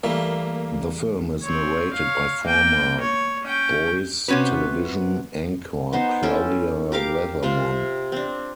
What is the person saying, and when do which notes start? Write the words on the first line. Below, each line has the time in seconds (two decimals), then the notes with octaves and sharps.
The film is narrated by former Boise television anchor Claudia Weathermon.
0.03 E3 G3 A3 A#3
1.42 C4 C#5
1.93 C#5 F5
2.45 A#3 G5
3.01 C#5
3.43 C#4 G5
4.28 C3 B3 C#4 F#4 B4
5.93 B3 D#4 C5
6.23 C#4 E4 A4 G5
6.92 G4 A#4 F5 D6
7.43 C3 F4 C5
8.12 C4 D4